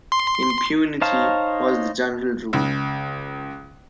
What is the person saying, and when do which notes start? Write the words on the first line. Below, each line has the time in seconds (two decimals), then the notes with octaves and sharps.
Impunity was the general rule.
0.12 C6
1.02 D#4 C5 C#5 F5 A5
2.53 C#2